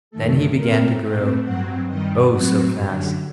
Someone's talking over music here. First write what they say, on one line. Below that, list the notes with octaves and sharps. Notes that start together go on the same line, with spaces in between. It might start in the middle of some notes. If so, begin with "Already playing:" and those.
Then he began to grow, oh! so fast.
F#2 D#3 A3 A4
A#2 A3 C4 A#4
A2 A3 C4
G2 F#3 C4 F#5
G2 D#3 G3 D#5
A2 F#3 A3 C4 F#5
F#2 D3 F#3 G4